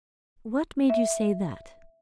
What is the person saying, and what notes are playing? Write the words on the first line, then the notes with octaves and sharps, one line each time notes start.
"What made you say that?"
E5